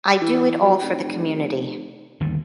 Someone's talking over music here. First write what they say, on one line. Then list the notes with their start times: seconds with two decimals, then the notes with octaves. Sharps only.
I do it all for the community.
0.21 E3
0.60 F#3
0.82 F1
2.20 G1 D#2 D#3